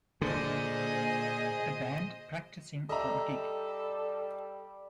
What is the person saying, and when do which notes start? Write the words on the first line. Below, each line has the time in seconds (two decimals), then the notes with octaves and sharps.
A band practicing for a gig.
0.22 A#2 D3 G#4 C5 D5 D#5
2.89 G3 A4 D#5 E5 A#5